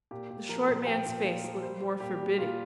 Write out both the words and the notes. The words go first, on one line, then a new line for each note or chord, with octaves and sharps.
The short man's face looked more forbidding.
A#2 G4
A#2 G4
F3 A#4
A#2 C5
F3 G5
A#2
F3 F5
F3
G3 C5
G3
A#2 G4
G3
A#2 F4